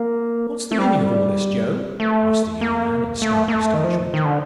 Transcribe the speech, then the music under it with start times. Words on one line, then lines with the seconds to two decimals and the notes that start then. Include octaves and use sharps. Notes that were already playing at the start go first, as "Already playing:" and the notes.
"What's the meaning of all this, Joe?" asks the young man, in stark astonishment.
Already playing: A#3
0.71 A3
0.78 G3
2.00 A3
2.61 A#3
3.22 A3
3.48 A#3
3.53 A3
3.74 D#3
3.84 F3
4.14 D#3
4.25 D3